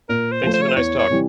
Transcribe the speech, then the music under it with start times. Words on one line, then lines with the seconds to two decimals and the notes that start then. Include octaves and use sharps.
thanks for the nice talk.
0.09 A#2 A#4
0.32 C5
0.43 F3 A3
0.54 C5
0.62 C#5
0.69 C5
0.76 E2 C#5
0.99 C#5
1.09 C3 E3 G3